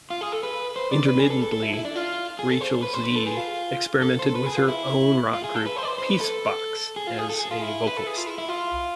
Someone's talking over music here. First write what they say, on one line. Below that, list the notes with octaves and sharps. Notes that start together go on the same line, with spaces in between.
Intermittently, Rachel Z experimented with her own rock group Peacebox as a vocalist.
F4
G#4
A4
B4
C5
D5
B4
G#4
A4
A4
A4
E4
E4
D4
F4
G#4
A4
C5
B4
C5
B4
A4
G#4
F4
A4
C5
A4
B4
G#4
F4
E4
F4
G#4
A4
B4
C5
D5
C5
C5
B4
A4
G#4
F4
G#4
A4
G#4
F4
E4
B4
A4
G#4
F4
E4
E4
F4